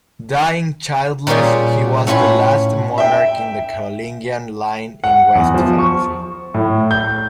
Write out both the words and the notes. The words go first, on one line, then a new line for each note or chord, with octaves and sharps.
Dying childless, he was the last monarch in the Carolingian line in West Francia.
A#2 G3 C#4 F4 G4 G#4
A2 C#4 F4 C#5 B5
E5 G5
F#5
E2
F3
C#6
A2
G6